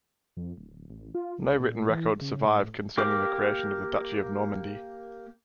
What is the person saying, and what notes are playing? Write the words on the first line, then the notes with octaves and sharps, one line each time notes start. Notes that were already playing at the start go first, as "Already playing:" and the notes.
No written records survive concerning the creation of the Duchy of Normandy.
F2
D1
A1
F4
C#2
A#2
E3
C#3
A2
A#3 G4 A#4 D6